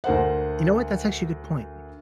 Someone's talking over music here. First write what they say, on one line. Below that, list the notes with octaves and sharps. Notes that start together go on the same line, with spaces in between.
You know what, that's actually a good point.
D2 A#4 C5 F#5